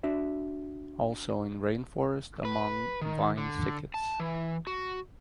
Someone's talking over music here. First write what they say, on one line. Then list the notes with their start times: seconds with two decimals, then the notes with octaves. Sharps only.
Also in rainforest amongst vine thickets.
0.03 D4 F#4 E5
2.45 B4
3.01 D#3
3.38 D3
3.94 A5
4.20 E3
4.67 F#4